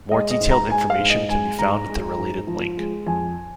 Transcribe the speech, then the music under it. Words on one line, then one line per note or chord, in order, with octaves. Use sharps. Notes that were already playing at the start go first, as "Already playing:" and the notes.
More detailed information can be found at the related link.
G#3 D#5
D#5
G#2
A#5
G#3 G#5
F5
G#2
D#5
G#3 G#5
G#2 A#5
G#3
G#2
F3
G#3
F2 G#5